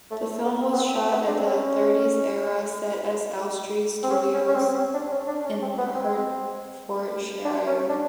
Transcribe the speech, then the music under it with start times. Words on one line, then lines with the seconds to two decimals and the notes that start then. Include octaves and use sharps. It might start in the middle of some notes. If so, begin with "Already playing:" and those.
The film was shot at the "thirties era" sets at Elstree Studios in Hertfordshire.
0.11 A3
0.28 A3
0.45 B3
0.61 C4
0.73 B3
0.77 C4
0.94 C4
1.11 B3
1.27 D4
1.38 C4
1.45 C#4
4.03 C4
4.11 C#4
4.34 C#4
4.48 C#4
4.55 C4
4.68 C4
4.77 C#4
4.94 D4
5.11 C#4
5.27 D4
5.44 C#4
5.62 C4
5.78 B3
5.95 C4
7.45 D4
7.67 C#4
7.89 D4